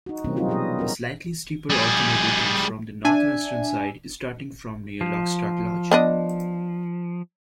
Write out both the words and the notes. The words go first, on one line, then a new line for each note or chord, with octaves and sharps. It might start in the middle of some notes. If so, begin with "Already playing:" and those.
A slightly steeper alternative comes from the northwestern side, starting from near Lochstack Lodge.
D#4 F#4
C3 E3 G3 A#3 C4 C#4
F#3 G3 C4 D#4 F4 F#4
B2 F#3 B3 G#4 D#5
C#4 F#4 A#4
G3 G#4
D4 E5 G#5
F3
B3 D4 D#5